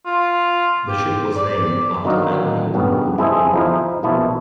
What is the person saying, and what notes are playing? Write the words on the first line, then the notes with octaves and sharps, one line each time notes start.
The ship was named after Admiral Lord Rodney.
F4
G4
D5
D3 D#3 F#3 A#3 D#4
G2 C#3 B3
E4 G#4 A4 C5 D#5 E5
F3 D#4 E4
A#1 B2 F3 E4 A5